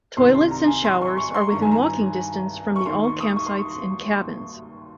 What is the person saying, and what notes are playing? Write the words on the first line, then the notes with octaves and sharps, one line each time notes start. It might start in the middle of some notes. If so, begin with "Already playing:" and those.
Toilets and showers are within walking distance from the all campsites and cabins.
C2 C3 D#3 C6
C6
A#5
G#5
C6
C#6
C#6
C6
G2 D#3 A#5
G#5
A#5
C#6
D#2 D#3 C6
C#6
D#6
C#6
C6
C#6